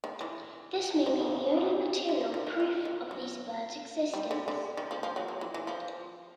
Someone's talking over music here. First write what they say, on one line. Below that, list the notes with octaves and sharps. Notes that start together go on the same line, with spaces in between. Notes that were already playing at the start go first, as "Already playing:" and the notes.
This may be the only material proof of these birds' existence.
D#3
E3
D#3
D3
D#3
D3
D#3
D#3
D#3
F#3
G3
D3
D3
D#3
F3
F3
F#3
F#3
E3
E3
F3